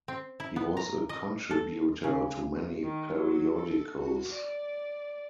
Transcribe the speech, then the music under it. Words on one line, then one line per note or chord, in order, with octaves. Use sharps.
He was a contributor to many periodicals.
C4
E4
B3
A#5
D#5
A4
C#3
D#3
F#3
A4
F#4
D5